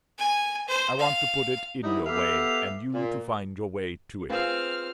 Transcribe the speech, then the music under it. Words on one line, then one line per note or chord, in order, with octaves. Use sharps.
I want to put it in your way, and you to find your way to it.
G#5
C5
F5
E3 F#3 G3 D#4 E4
B3 G4 A4 E5 F5
A#2
C4 F4 G#4 B4 F6